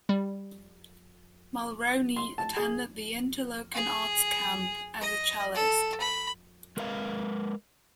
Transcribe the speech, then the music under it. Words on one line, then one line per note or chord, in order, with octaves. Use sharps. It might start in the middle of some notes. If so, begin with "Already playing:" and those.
Mulroney attended the Interlochen Arts Camp as a cellist.
G3
C6
A5
G#4
G#4
D#5
A4
B5
G#3 A#4 B4 D#5 F5